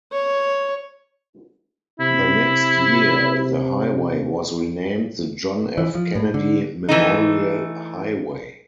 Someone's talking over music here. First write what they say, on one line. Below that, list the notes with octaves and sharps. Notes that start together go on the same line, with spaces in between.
The next year, the highway was renamed the John F. Kennedy Memorial Highway.
C#5
C3 E4
E3
F3
A2
D3
E3 A3 D#4